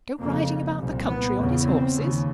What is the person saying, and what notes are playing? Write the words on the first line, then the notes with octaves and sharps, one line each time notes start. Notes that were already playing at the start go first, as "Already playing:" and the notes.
Go riding about the country on his horses!
F2 C#3 A#3
C2 A#2
B3
E2 C#3
C4
D#2 C#3